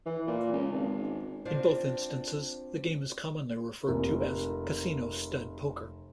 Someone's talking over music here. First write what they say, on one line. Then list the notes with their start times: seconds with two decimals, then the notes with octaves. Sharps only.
In both instances, the game is commonly referred to as "Casino Stud Poker".
0.06 E3
0.27 A#2
0.52 C#2
0.72 G#1
1.46 C4 D4 F4
3.87 F1 A#3